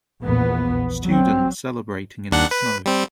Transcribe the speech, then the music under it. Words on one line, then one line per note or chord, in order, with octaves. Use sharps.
Student celebrating in the snow.
A#1 E2 B3
F#3 C4
D#2 D4 F#5
B4
G3 C4